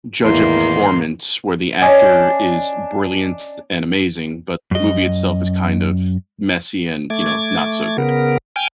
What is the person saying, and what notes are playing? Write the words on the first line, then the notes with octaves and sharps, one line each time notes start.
judge a performance where the actor is brilliant and amazing, but the movie itself is kind of messy and, you know, not so good?
E2 A2 D#3 A#3 E4 C6
C#4 D4 D#5
F#2 D#5
A3 D6 G#6
C#3 B3 A#4
G5 G#5 F6